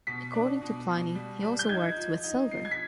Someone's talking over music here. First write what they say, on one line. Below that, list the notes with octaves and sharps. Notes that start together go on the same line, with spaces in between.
According to Pliny, he also worked with silver.
B2 B6
D4
B2
B2
G3
G3
G6
D#4 G#6
F3
D#4
F3 C7
G#6
B6